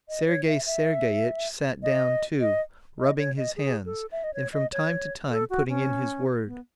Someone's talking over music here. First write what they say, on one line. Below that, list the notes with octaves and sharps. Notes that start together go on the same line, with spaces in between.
Sergey Sergeyitch sat down too, rubbing his hands, and from time to time putting in his word.
D#5
C#5
E5
E5
D#5
D#5
D#5
C#5
D#5
G#4
A4
E5
D#5
C#5
D#5
C#5
A4
F#4
C#4
B3